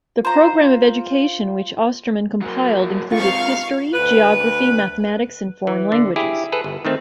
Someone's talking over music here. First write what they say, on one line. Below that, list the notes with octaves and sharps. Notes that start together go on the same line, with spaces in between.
The program of education which Ostermann compiled included history, geography, mathematics, and foreign languages.
F4 C5 A#5
F#3 A#3
G#2 C3 F4 F5 C#6
D2 B4
E3
D3
E4 G4 G#4
G#4 A4 B4
G1
D#3 A3 C4